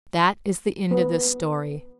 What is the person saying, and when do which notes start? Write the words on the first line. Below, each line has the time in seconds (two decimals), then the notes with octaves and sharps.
That is the end of this story.
0.91 B3